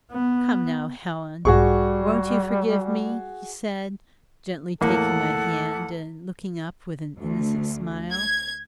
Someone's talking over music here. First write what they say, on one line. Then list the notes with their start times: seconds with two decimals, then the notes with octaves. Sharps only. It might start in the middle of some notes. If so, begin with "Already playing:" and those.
Come now, Helen; won't you forgive me?' he said, gently taking my hand, and looking up with an innocent smile.
0.11 B3
1.45 B1 G#2 G3 F#4 G#4 C#6
4.81 E2 A2 A#3 A4 F#5
7.19 D2
8.12 G#6